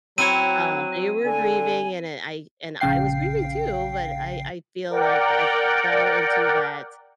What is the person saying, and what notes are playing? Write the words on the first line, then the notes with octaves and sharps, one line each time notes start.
um, they were grieving, and, uh, I and I was grieving too, but I I feel like I fell into that,
F#3 C4 E4 C#5 D#7
D3 G#5
A#1 C#3 F5 G5 C7
A#4 D5 F#5 G5